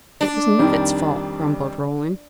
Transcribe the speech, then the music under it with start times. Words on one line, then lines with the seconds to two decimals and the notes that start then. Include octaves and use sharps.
"It was Knivett's fault," grumbled Roland.
0.21 D4
0.59 F2 D#3 G3